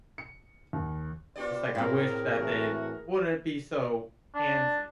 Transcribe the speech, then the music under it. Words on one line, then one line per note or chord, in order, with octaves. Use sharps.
It's like I wish that they wouldn't be so handsy.
C#7
D#2
B3 F4 G4 C5 D5
A2 C4 G#4 A#4
E3 A3 F#4
D4